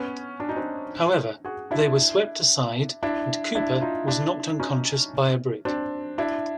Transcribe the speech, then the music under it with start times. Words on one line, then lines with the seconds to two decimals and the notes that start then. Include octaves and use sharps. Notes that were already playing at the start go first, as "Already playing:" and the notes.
However, they were swept aside and Cooper was knocked unconscious by a brick.
Already playing: B3 C#4
0.40 D4
0.49 D#4
0.56 C4 D4
1.45 F#4 G#4
1.71 D4 E4
3.03 D4 E4
3.55 D4 E4
3.81 D#4 F4
4.07 D4 E4
4.60 C#4 D#4
5.65 C4 D4
6.18 D4 E4